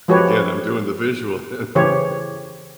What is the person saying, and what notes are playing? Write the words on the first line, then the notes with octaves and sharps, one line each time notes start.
again, I'm doing the visual, and
F3 G#3 F#4 G4 B4 C#5
C#3 E3 G4 C5 C#5